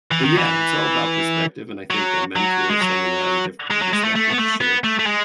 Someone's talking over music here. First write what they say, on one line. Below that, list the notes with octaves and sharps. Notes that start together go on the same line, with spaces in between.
but yeah, it's all about perspective. And I think a mentor is someone that has a different perspective to share,
E3
D#3
E3
F#3
F#3
G#3
F#3
G#3
F#3
G#3
A3
A3
B3
A3
B3
A3
A3
G#3